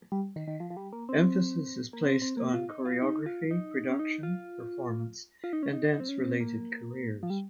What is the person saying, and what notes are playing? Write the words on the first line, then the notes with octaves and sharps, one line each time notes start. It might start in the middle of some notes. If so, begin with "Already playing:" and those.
Emphasis is placed on choreography, production, performance, and dance related careers.
G3
D#3
D#3
F3
F3
G3
A#3
C4
A#3
C4
C4
A#3
F4
D#4
F4
D#4
F4
D#4
C#4
D#4
F4
F4
D#4
C#4
D#4
D#4
C4
C#4
C4
A#3
F3
G3